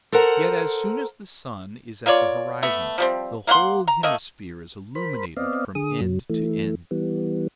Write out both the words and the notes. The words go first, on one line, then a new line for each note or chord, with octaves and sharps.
Yet as soon as the sun is at the horizon, the whole hemisphere is illuminated from end to end.
A4 A#4 C5 F#5 A#5
A#3 F4 C#5 D5
A3 B3
F3 G3 C4
A#3 F5 F#5 C6
A#5
A3 A#3 D#5
A#4 C5 B5
B3 C4 D5 D#5 F5
D3 G#4 D#6
F#2 F#3
E3 A3
E3 G3 B3